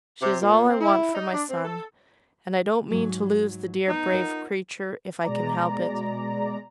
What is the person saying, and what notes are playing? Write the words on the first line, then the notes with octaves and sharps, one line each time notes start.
She is all I want for my son; and I don't mean to lose the dear, brave creature if I can help it.
C3
A#2
C4
E4
D#4
D4
C4
A4
G#2 F#3
B3 D#4 D#5
F4 A#4 F#5
B2 G#3 D5 A#5